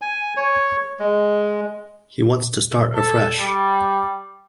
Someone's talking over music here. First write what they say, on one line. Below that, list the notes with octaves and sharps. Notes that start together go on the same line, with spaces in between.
He wants to start afresh.
G#5
C#5
G#3
A4
G3